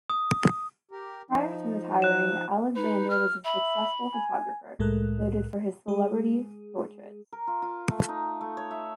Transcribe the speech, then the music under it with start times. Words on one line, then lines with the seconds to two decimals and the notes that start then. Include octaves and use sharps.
Prior to retiring, Alexander was a successful photographer, noted for his celebrity portraits.
0.10 D#6
0.91 G4 A#4
1.31 F3 D#4
2.02 F#6 E7
2.76 D#4 B4
3.10 F6
3.45 E5 B5
4.14 G#5
4.79 C2 A2 G#3 A4 A#4 F#6
5.88 G#3 G#4
7.32 A#4
7.47 F4
7.62 F4
7.90 A3
8.09 D#4
8.41 A3
8.57 C#5
8.71 E5